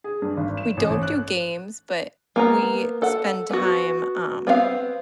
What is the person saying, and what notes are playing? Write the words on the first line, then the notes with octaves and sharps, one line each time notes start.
we don't do games, but we spend time, um
G#4
G2
G#1
E7
A1
A1
F#6
A#3 B3 A#5
A4 F#5
B3 F#4
B3 C4 C#5 F5